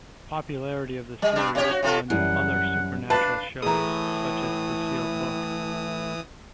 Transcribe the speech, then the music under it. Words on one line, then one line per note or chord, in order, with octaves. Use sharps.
The popularity of the series spawned other supernatural shows, such as "The Sealed Book".
G3
G2 D4
C3 G4 C#5
F#4
C3 F4 A4
F#2 E3 G3 E4 F#5
D4 B4 F5 A5
A2 E3 G#4 A#5 D#6